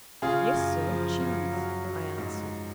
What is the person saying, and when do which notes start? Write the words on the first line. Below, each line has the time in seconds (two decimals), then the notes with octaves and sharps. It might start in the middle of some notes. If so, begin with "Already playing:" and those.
"Yes, sir, cheese," I answered.
0.22 C#3 F4 G#4
0.54 F#2
0.87 F3
1.21 F#2
1.53 F#3
1.85 F#3
2.18 G#2